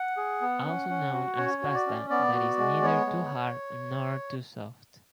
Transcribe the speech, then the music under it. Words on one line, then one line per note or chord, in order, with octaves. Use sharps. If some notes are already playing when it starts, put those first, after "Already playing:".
Also known as pasta that is neither too hard nor too soft.
Already playing: F#5
G#4
B3
C#4
C#4
F#4
C#4 C#5
F#4
D5
C#4
B3 D5
F#4
G#3
B3 C#5
G#3